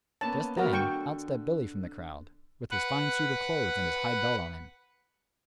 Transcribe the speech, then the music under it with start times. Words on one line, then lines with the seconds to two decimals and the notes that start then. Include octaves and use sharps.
Just then, out stepped Billy from the crowd, with his fine suit of clothes and his hide belt on him.
0.21 A#3 B3 C#4 A5
0.57 F#3 A3 B3 F#4 A#4
0.73 D3 G5 C#6
2.71 B4 F#5